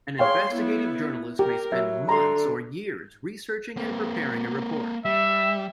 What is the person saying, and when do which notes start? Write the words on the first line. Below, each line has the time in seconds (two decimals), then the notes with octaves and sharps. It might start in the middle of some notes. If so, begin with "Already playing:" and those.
An investigative journalist may spend months or years researching and preparing a report.
0.19 G#4 C#5 F5 G5 C6
0.53 B3 E4
1.39 G4 A#4
1.72 F#3 E5
2.09 D3 A#5 C6
3.77 A#3 C4
5.05 G3 E5